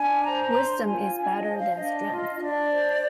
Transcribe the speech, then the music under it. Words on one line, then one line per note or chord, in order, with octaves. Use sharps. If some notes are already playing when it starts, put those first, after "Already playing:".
Wisdom is better than strength.
Already playing: D4 G#5
C5 A#5
D4 C6
F4 G#5
D4 G#5
D#5
C5
F5
D4 D#5
F4
D4 D5
C5